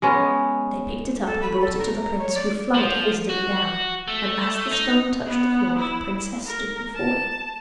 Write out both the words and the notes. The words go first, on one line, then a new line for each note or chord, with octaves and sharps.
They picked it up and brought it to the prince, who flung it hastily down, and as the stone touched the floor the princess stood before him.
G#3 B3 C#4
A4
B5
A4
A#5
C#5
D5
F3
F#4
A3
D#4
B3
E4
A#4
A5